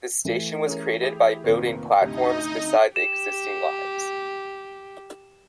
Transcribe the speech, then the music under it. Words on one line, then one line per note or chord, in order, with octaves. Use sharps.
The station was created by building platforms beside the existing lines.
E3 A3
C#4 G#4 A#4
E4 G4 G#4
F1 A#2 D#3 C4 B4
D2 G2 C3 D#4 G4 D#5
G6
G4 E7